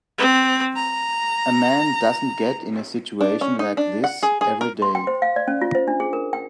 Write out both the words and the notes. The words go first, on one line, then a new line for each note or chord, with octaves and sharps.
A man doesn't get in a situation like this every day.
C4
A#5
D4
C#4
D#4
D4
F#5
G#4
G#4
A#4
C6
G5
C5
F5
D5
C#4
F4
C5
D4
G#4
A#4
G5